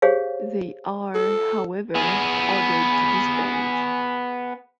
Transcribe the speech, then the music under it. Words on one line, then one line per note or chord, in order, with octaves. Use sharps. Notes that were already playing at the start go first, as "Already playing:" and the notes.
They are, however, ordered to disband.
G4 G#4 C5 C#5 F5
A4
B3 G#4